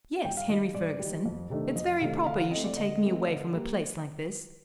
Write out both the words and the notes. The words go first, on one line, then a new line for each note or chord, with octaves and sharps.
"Yes, Henry Ferguson; it's very proper you should take me away from a place like this."
G2 G5
F5
D#3 G3 D#5
G2 D5
D#3 G3
F2
C3 D#3 A3 D4
F2 D#5
C3 D#3 A3 D4 F5
D3 F5
F5
A3 C4 D#5
D5
D3 D#5
A3 C4
D3
G3 A#3